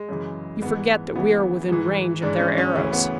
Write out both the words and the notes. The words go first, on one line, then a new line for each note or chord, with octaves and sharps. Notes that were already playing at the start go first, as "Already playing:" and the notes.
"You forget that we are within range of their arrows."
Already playing: G#3
F#2 C#3 E3
G#2 E3 B3
D2 C#3 E3 B3
G#2 E3
G#2 E3 D4
C#4
C#4
D2 C#3 E3 C#4
B3